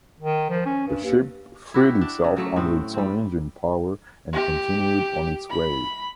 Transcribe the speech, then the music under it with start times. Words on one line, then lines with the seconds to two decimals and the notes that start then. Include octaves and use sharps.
The ship freed itself under its own engine power and continued on its way.
0.21 D#3
0.50 F3
0.66 C#4
0.88 G2
1.04 D#2
1.74 E4 F#4 G4
2.01 D4
2.24 C#3
2.37 F#3 A3 A#3
2.56 A2 C4
2.94 G3 C4
4.33 G4
5.50 B5